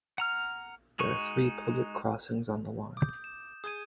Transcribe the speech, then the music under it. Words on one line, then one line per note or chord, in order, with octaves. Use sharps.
There are three public crossings on the line.
F#5 A#5 F6
G#3 D#4 F#4 C#6
D6 D#6 G6
E7
G#4 D#6 G6 G#6 D#7